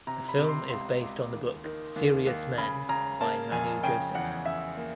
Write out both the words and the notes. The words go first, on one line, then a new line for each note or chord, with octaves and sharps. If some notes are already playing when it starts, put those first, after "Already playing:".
The film is based on the book "Serious Men" by Manu Joseph.
C3 A#5
B5
C3
C6
C#2 C6
C#2
D#2
D#3
D#2
D#2
C#3 B5
C#3 A#5
A#3 A5
F2 G#5
C#3 G5
E2 F#5
C#3 E5
A#3